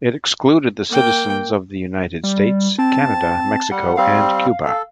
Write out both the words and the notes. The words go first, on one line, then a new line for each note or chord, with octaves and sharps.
It excluded the citizens of the United States, Canada, Mexico and Cuba.
A#3 G5
G3
C4 A5
G3 F#5
G3 C4 F5
A4